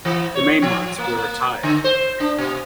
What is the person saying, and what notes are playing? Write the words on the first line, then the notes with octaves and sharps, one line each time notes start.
The mean ones were retired.
E3
C#5
F3
A#3
A#3
D3
C5
D4
B2